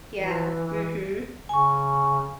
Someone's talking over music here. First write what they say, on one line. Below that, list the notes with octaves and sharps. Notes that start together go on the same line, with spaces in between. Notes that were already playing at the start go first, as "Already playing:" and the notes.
Yeah, mhm.
E3
C#3 G#5 C#6